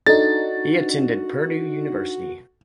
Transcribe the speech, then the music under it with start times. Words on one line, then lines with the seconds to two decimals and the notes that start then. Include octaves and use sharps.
He attended Purdue University.
0.06 D4 D#4 F#4 A4 A6